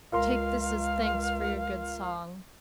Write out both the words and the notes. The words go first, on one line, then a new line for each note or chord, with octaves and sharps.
"Take this as thanks for your good song."
C#2 F4 A#4 F5 C6